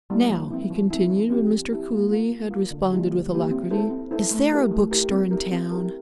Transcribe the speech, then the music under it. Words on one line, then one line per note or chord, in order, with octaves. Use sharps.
"Now," he continued, when Mr. Cooly had responded with alacrity, "is there a bookstore in town?"
G3 A#3 E4
F3
C4 E4
F3
C4 E4
F3
C4 E4 G4
F3
C4 E4 G4
A#3
F4 A#4
A#3
F4 A#4
D3
G3 A#3 E4 G4
D3
G3 A#3 E4 G4
C4
E4 A4 C5
C4
E4 A4 C5
A3
E4 G4 A#4
A3
E4 G4 A#4
C4
E4 G4 A#4
C4
E4 G4 A#4